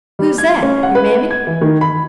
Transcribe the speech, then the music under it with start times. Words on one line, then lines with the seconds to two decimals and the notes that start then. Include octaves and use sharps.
"Who's that--your Mammy?"
0.19 G3
0.38 G#6
0.63 C#4
0.83 F#5
0.95 B4
1.31 G#6
1.47 E3
1.61 D#3
1.81 B5